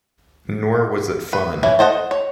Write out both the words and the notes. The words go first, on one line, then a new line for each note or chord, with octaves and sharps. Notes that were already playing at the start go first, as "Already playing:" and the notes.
Nor was it fun.
B4
E3 C#4 E4
A4 C5 D#5 F#5
C#5